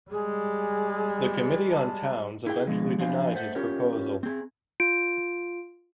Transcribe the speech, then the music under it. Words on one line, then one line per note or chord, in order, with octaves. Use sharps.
The Committee on Towns eventually denied his proposal.
G3 G#3 G#4
A5
E4 G#4 G5
B2 D3 F3 G#3
F3 F#3 D4 C5 F5 G#5
A3 C5 F#5
C#4 F4 G4 A#4 C#5
C4 G#4
F4 D7